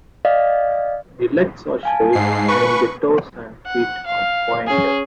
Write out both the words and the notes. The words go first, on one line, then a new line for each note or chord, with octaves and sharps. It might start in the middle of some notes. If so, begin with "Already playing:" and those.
The legs are straight, and the toes and feet are pointed.
D5 D#5 F5
F5 G#5 A5
G#2 C7
B4 C#6
F#5
F5
C#4 G#4